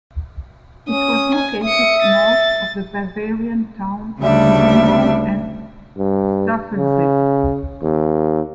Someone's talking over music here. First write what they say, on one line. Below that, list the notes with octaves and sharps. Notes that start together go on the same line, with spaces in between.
It was located north of the Bavarian town of Murnau am Staffelsee.
C#4 D#6
G#5
E5 D#6 C#7
A6
D2 C#3 G3 D4 E5
G2
C#3
D#2